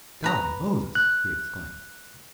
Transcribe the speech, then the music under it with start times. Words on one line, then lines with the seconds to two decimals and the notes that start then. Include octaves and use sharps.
"Golly Moses!" he exclaimed.
0.24 B4 A#5
0.95 F#6